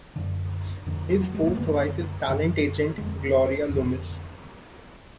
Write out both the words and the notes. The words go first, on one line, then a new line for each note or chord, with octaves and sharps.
His fourth wife is talent agent Gloria Loomis.
F#2 D3 D4
F2 D3
F#3
G#3
A#3
F#2 D3 B3
F#2 D3
F2 D3 G#3
F2 D3